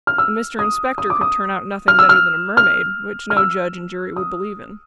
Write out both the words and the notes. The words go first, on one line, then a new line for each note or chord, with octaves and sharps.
And Mr Inspector could turn out nothing better than a Mermaid, which no Judge and Jury would believe in.
F6
E6
D#6
D#6
D6
D#6
F6
E6
F6
F6
F6
E6
D#6